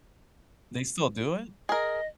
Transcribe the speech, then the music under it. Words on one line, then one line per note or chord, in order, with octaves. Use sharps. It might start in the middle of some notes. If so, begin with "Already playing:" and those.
they still do it?
G#4 A#4 D#5